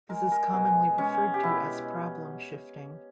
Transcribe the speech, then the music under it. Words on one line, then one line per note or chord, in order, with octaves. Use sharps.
This is commonly referred to as problem shifting.
G#3 A#4
A#4
B2 G#4
G#3 C#4
G4
B2 E4